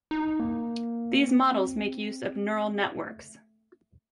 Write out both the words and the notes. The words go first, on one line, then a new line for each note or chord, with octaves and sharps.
These models make use of Neural networks.
D#4
A#3
C4
A3